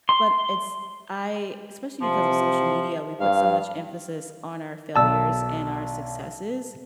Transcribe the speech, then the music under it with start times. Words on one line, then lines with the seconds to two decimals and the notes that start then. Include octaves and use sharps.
but it's I especially because of social media, we put so much emphasis on our failures and our successes,
0.09 C6
2.01 C3 F3
3.20 G2 F5
4.96 B1 D5 A5 E6